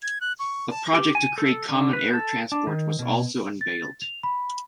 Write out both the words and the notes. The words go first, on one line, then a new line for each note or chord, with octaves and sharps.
A project to create common air transport was also unveiled.
G#6
F#6
C#6
A5
G4
G#5
A4
D3
B4
A4
D4
D#3
B2
A6
F7
B5